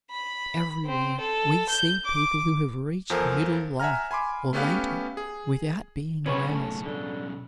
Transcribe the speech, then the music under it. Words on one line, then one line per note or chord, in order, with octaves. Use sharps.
Everywhere we see people who have reached middle life or later without being aroused.
B5
C4
A4
G6
D6
E2 F3 A4 A#4 C5 G#5
E5 F#5 G#5 A#5 F6
G#5 B5 C6 D6
A3 B3 C#4 G4 B4 F5
G#4
B1 C#3 C#4 B4 C#5
A3
D3